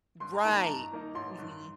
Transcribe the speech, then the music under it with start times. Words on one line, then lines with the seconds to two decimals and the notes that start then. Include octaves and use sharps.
Right. Mhm.
0.20 G2 C6
0.34 A#5
0.44 D#3 A#3 D#4 A5
0.59 A#5
0.68 G2
0.92 D#3 A#3 D#4
1.15 A1 C6
1.39 G2 D#3